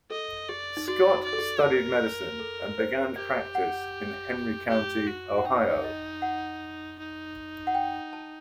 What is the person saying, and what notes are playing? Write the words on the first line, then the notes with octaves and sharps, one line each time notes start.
Scott studied medicine and began practice in Henry County, Ohio.
A4 D#5
G4 D5
D#4
F#4 D5
F#4
D5
A4
G4
A#4
A4
C5
G4 D5
F#5
G4
F#4
F#5
D#4 G5
D#5
F#5
D#4
F#5
G5
A5